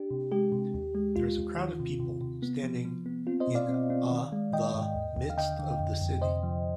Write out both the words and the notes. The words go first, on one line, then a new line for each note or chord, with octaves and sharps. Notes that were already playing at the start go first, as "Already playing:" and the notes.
There is a crowd of people standing in a the midst of the city.
Already playing: D4 G4
C3
G#3 G4
C3
D#2
G#3
D#2 F4
D#2
D#3
C3
C3
C3
B3
F3
F3
B3
C4 F4
C5 D#5
B2
D5 F5
C4
C4
D#3
G#3
D#3 D#5 G5
G#2
D#2
D#2
F5
D3 D#5 G5
D3
F2
F2
C3 C5 D#5
F3